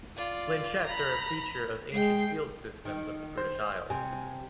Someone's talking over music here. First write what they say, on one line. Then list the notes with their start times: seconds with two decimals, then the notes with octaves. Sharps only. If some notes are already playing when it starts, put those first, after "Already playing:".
Lynchets are a feature of ancient field systems of the British Isles.
0.16 F4 D5
0.85 A#5 B5
1.92 G#3 G5 C7
2.85 D#3
3.37 C5
3.90 C3 G#5